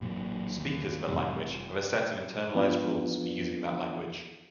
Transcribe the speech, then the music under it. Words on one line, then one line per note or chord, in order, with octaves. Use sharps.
Speakers of a language have a set of internalized rules for using that language.
A1 A#2 D#3 F#3
D#2
F2 A2 C3 G3
F1
F3 B3 D4 F4